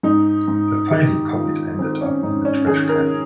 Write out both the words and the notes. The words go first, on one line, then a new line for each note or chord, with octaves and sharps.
The file he copied ended up in the trash can.
G#2 D#4
G#2
D#3 G4
D#3 F4
D#3 C4
C#4
G#2 D#4
C#4
D#3 G#4
A#4